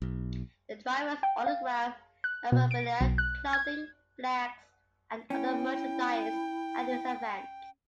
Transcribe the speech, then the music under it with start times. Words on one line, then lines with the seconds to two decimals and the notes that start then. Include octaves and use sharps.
The drivers autograph memorabilia, clothing, flags and other merchandise at these events.
0.02 B1
1.23 G5
1.46 F5
2.24 F#6
2.52 B2
2.71 D7
3.01 B1
3.18 F#6
3.53 G#6
5.30 C#4 E4 G5